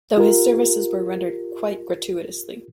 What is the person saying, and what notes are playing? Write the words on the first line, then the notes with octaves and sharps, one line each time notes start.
Though his services were rendered quite gratuitously.
F4 G4 A#4